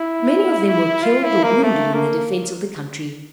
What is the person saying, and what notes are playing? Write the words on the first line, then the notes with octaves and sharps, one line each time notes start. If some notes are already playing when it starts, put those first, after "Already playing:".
Many of them were killed or wounded in the defence of the country.
Already playing: E4
F4
E4
A#3
A3
A#3